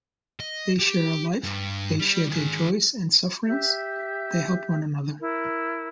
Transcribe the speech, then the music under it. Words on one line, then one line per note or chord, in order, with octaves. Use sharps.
They share a life, they share their joys and sufferings, they help one another.
D#5
G4
G2
G3
D#3 G#4
G4 E5 G6
E4 A#4